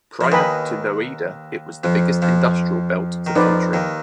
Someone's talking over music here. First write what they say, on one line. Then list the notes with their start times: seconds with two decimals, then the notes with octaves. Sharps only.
Prior to Noida it was the biggest industrial belt of the country.
0.21 F3
0.32 D#2 D#3 B4 D#5 G#5 B5
1.84 F2 F3
2.22 F2 F3
3.26 D#3
3.36 F2 F3 D#4 B4 D5
3.73 D#2 D#3